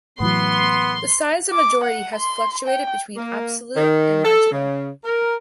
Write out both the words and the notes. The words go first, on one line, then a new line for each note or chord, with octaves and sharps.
The size of majority has fluctuated between absolute and marginal.
A2 E3 F#3 B3 C6
D6
F#5
C6
G5
A#3
D#3
A4
C#3
A#4